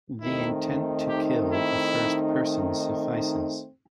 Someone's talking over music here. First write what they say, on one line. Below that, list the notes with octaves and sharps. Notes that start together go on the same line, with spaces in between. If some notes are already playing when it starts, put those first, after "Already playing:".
The intent to kill the first person suffices.
D#3 A3 C4 D#4 E4
G4
E4